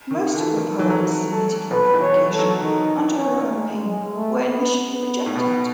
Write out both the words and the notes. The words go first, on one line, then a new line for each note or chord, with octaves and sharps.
Most of her poems submitted for publication under her own name were initially rejected.
D#3
E3 A4
D#3
E3 A4
F#3
E3
A4
B2 B4
E3
C#5
E3
A4
F#3
D#3 D#4
C#4
G#3
G#3
A3
B3
B3
A2
B2 B3